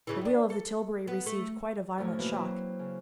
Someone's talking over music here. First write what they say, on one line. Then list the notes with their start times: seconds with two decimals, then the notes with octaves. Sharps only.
The wheel of the tilbury received quite a violent shock.
0.07 G#2 C#3 E3
0.21 D#3 D4
0.50 A4
1.08 B3
1.26 A3
1.98 F#2 A2 F3 A3
2.19 B2 E3 A#3 B3
2.32 F#3 C4 E4
2.79 C#3